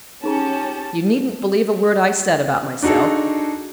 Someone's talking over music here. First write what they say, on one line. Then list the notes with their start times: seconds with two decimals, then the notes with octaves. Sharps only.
You needn't believe a word I said about myself.
0.24 C#4 D#4 G4 G#4 A5 A#5
2.82 D4 D#4 F#4 G#4 A4